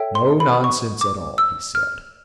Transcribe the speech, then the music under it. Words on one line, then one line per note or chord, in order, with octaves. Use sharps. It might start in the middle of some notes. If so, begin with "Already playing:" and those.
"No nonsense at all," he said.
Already playing: A4 C#5 E5 G5
C6
B5
C#6
D6
E6
F6